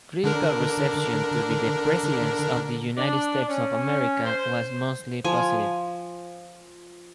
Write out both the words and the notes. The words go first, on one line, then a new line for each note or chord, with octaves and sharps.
Critical reception to "The Presidents of the United States of America" was mostly positive.
D3 D4 A#4
D4
C#4
C5
F3 G#5